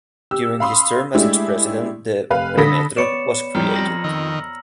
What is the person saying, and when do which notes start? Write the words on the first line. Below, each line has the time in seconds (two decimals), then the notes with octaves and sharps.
During his term as its president the "Premetro" was created.
0.31 G4 E6
0.60 F5 B5 C6 D#6
1.14 G#3 A3 D4 E4 G4
2.30 F1 B4 F5
2.57 D3 A4 B5 D#6 A#6 B6
2.97 B3 C#5 D5 B5 C#7 E7
3.55 F2 G3 A#5 F6
3.72 A#6 F#7
4.04 D#3 E6